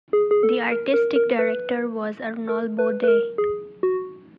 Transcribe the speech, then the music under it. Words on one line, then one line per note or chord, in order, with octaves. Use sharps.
The artistic director was Arnold Bode.
G#4
G#4
A4
A#4
A#4
A#4
B4
A#4
B4
B4
A#4
G#4
F#4